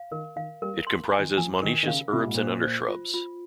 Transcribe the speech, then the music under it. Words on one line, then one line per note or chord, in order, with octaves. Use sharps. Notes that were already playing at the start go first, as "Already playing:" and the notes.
It comprises monoecious herbs or undershrubs.
Already playing: F5
D#3 A#4
D#3 F5
G3 A#4
C6
G#5
D#3
F3 G#5
D#3 A#4
D#3
C#3 F5
C3 F4
A#2
G#2
A#2 C5
C5
F4
F4